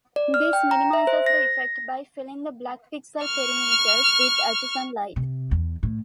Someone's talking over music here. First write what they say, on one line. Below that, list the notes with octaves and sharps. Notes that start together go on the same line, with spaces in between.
This minimizes the effect by filling the black pixel perimeters with adjacent light.
D5
F6
G5
A#5
E5
C5
A#6
C#6 F6
C3
E2
A2